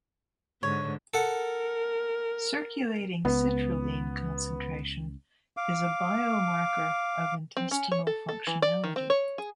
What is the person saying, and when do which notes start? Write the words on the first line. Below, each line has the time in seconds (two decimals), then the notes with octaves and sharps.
Circulating citrulline concentration is a biomarker of intestinal functionality.
0.63 G#2 D3 C#5
1.14 A4 A#4 F#5
3.25 C#2 B3
5.57 F5 D6
7.57 C4
7.71 C#4
7.92 C#5
8.07 A4
8.29 A4
8.47 E3
8.62 D5
8.84 D#3
8.96 C4
9.10 C#5
9.38 G#4